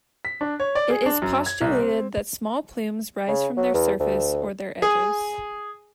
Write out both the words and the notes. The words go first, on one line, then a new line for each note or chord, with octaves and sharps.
It is postulated that small plumes rise from their surface or their edges.
B6
D4
C#5
D5
G#4
D4
F#2
G#6
C2
C4
C#3
F#3
E2
D2
G#4